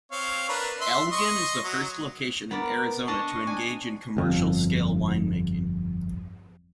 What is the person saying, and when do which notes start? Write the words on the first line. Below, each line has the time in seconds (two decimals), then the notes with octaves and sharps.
Elgin is the first location in Arizona to engage in commercial scale winemaking.
0.12 C4 C#5 F5
0.49 D4 A#4 B4
0.81 E5 C6
1.12 D#5 C6 C#6
1.64 F#3
2.51 B3 A#4 D5
3.08 D4 D#5 A5 C#6
3.47 D4 G#5
4.17 G1 F2